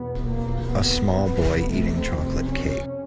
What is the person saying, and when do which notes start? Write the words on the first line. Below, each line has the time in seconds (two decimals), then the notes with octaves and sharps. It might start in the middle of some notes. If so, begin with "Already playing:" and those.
A small boy eating chocolate cake.
Already playing: E2 B2 B3
0.27 A#3
0.71 B3
1.15 F2 C3 B3
1.44 B3
1.73 A3
2.02 C4
2.46 C#4